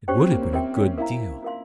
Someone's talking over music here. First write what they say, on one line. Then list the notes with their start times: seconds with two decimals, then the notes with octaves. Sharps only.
It would have been a good deal.
0.08 C#4 G4 C5 G5 C#6
0.20 C4
0.31 A#3
0.42 C4
0.53 C4 F4 A#4 E5 G5
0.76 C#4
0.98 E4 A#4 F5 A#5
1.43 F4 A#4 F5 C6